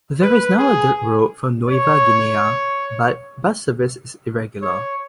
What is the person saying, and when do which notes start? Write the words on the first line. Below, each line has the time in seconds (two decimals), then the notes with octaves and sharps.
There is now a dirt road from Nueva Guinea, but bus service is irregular.
0.22 B4
0.58 G#4
1.69 C#5
4.62 C#5